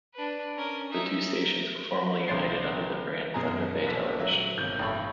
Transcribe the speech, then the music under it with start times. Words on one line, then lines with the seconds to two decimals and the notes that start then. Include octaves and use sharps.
The two stations were formerly united under the brand Thunder Bay Television.
0.14 D4 B4
0.56 C#4 A#4
0.91 D#4 E5
2.28 C2 D3 C5 C#5 A6 C7
3.34 F#2 B2 G#4 A#5
3.86 A#1 C#3 A4 B6
4.19 F#3 E5
4.58 G1 C3 D#3 G6
4.79 A1 G2 A3 C#5 B5 C#6